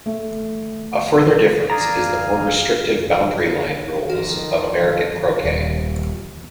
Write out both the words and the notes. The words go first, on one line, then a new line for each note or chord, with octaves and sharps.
A further difference is the more restrictive boundary-line rules of American croquet.
A3
G#4 D5 F5 A#5
F2 D#3 F4 F#4 F5
C5 A5
D#1